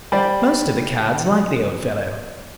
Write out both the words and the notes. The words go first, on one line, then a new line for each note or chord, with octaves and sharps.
Most of the Cads like the Old Fellow.
G3 C5 D5